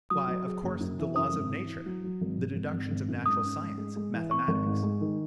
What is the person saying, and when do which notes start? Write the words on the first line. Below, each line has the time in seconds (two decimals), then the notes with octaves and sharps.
Why, of course, the laws of nature, the deductions of natural science, mathematics.
0.10 F#3 D#6
0.28 F#3
0.46 G#4
0.63 F#1
0.80 F#2
0.98 E3
1.16 F#2 D#6
1.33 G#1
1.51 E3
1.68 E4
1.86 F#3
2.04 F#3
2.21 G#1
2.38 G#1
2.56 G#1
2.73 G#1
2.91 G#1
3.08 F#2
3.26 G#2 D#6
3.43 C#4
3.61 G#2
3.78 G#3
3.96 G#3
4.13 E3
4.31 C4 C#6
4.48 G#1
4.66 G#2
4.83 G#3
5.01 D#3